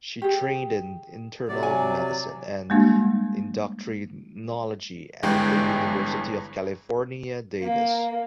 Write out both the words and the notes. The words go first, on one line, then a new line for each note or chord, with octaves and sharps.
She trained in internal medicine and endocrinology at the University of California Davis.
G4 G#4
C3 F#3 D5
G#5
G3 G#3 A#3 D4 F#4
G1 G2 E3 G#3 G5
A#3